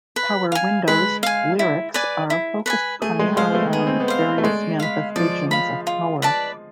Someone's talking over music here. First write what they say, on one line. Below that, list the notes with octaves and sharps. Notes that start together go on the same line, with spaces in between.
"Power Windows" lyrics are focused primarily on various manifestations of power.
B4
F5 G#5
G#3 B4
F5 G#5
E4
B4 D5 G#5
E4
B4 D5 G#5
A3 G#4
G#3
G#3 C5 F5
B3
A3
B3 G#4
C4
B3
C5 F5
A3
G#3 D5
F5 B5
F3 D5
F5 B5
F4
B4 D5 A5